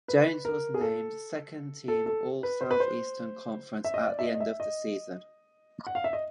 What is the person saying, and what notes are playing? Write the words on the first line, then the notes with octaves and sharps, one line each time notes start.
Jones was named Second Team All-Southeastern Conference at the end of the season.
B4
A#4
G#4
A4
A4
A4
B4
C5
B4
C5
E5
D#5
D5
E5
D#5
D#5
E5
D#5
F#5
F5
E5
D#5